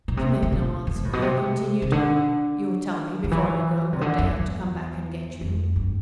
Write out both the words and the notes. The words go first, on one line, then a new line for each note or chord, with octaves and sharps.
She made no answer, and he continued: "You'll tell me before I go what day I'm to come back and get you?"
B2
C3
C3
D3
E2
C3
A2
B2
C3
C3
D3
D3
E3
C3
D3
F2
E2
F2
G2